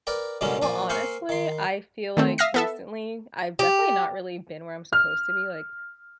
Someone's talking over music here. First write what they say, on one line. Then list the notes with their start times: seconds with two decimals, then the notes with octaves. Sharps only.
Well, honestly, I feel like recently, I've definitely not really been where I'm supposed to be. Like,
0.07 A#4 B4 D5 G5
0.41 C#2 G2 B2 D3 A#3 C#4
0.62 A#1 F3 D5 G#5
0.89 A#3 C4 F5 G#5 C6 C#6
1.29 D#3 C6
2.17 D#3 A3 C4
2.38 E5 F5 D#6 F6 A#6 C7
2.54 B3 A4 E5
3.59 G4
4.93 F6